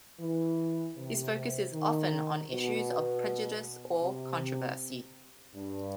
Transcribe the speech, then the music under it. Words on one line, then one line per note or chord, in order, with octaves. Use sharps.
His focus is often on issues of prejudice or controversy.
E3
C3
D#3
B2
C3
G2